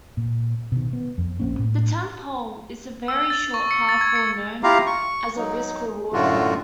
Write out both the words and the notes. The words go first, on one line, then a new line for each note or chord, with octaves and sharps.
The tenth hole is a very short par four known as a risk-reward hole.
A#2
B2 D#3
B3
F2
A#1 A#3 C4 C#4
A2
E6
A6
C#6
C#7
A6
G#6
C#7
E4 F4 G4 F5 A#5
C#6
F#3 D#4
F#2 A2 D3 A3 F4 F#4